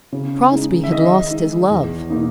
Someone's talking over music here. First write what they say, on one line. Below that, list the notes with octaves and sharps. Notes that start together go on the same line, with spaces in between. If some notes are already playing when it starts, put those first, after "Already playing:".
Crosbie had lost his love!
C#3
G#3 D#4
E5
D#3 D#5
G#3 D#4
E2
B2 A#3 D#4